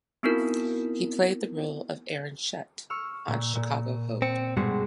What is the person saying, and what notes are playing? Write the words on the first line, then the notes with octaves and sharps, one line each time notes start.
He played the role of Aaron Shutt on "Chicago Hope".
B3 C4 D#4 E4 F#4 A#4
C#6 E6 F6
A#2
A#2
C4 C#7
G2 B2 G#3 F#4